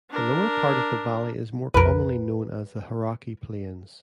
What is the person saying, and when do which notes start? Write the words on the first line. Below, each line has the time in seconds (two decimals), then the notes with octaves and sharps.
The lower part of the valley is more commonly known as the Hauraki Plains.
0.11 D4 A#4
1.74 B1 F2 A#4 B4